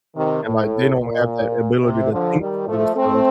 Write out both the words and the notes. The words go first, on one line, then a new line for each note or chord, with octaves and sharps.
and, like, they don't have that ability to think for themselves
C3 D#3
A2
A#2
C3
D3 F3
D#3 G3
F3 A3
A3 C4